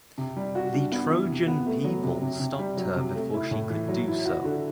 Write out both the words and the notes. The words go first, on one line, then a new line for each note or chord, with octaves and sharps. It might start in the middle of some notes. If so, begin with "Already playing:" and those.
The Trojan people stopped her before she could do so.
C3
G3
F#4
D4
B3
E3
C3
B3
A3
F#3
C3
C3
C3
G3
F#3
C3
A3
E4
A2
E3
F#3
E4
F#4
D3